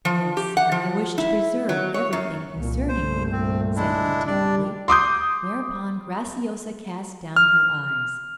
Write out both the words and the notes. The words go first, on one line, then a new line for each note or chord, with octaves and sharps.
"Yes; and I wish to preserve everything concerning you," said he tenderly; whereupon Graciosa cast down her eyes.
F3
G4
F#5
F3
E4
F#3
C#5
F#2
C2 A#2 A#3
C2 G2 A#2 A3 C5
C4
G#3 D4 E4
G3 D4 D5
C6 D6 D#6 G6
F6